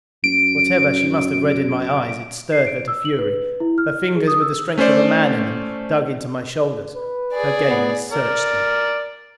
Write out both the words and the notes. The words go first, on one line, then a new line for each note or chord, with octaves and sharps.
Whatever she must have read in my eyes, it stirred her to fury. Her fingers with the strength of a man in them, dug into my shoulders. Her gaze searched me.
F#2 D7
C7
D7
E6
F#7
B4
E4
F6
G#4
D#6
E6
A3 C#4 A4 C5 D5
B4
G#4 D5
B3
A#4 D5